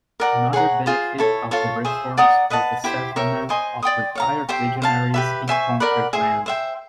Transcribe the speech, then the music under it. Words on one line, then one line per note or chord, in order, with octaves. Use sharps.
Another benefit of the reforms was the settlement of retired legionaries in conquered land.
A#4 D5 F#5 A#5
G#4 C#5 F#5 A#5
F4 G#4 C5
E4 A4 C#5
F4 A4 C#5
G#4 C5 E5
D5 F#5 A#5 D#6
B4 D#5 F#5 A5
E4 G4 C5
A#4 C#5 E5 G5
C5 D#5 G#5 C6
D5 G5 C6 D#6
C#5 F5 A#5
G4 C5 E5 G5
C5 F5 A5
G4 B4 E5
C5 E5 G#5 C#6
A#4 D5 F#5 B5
G#4 C5 E5 G#5
C5 E5 G5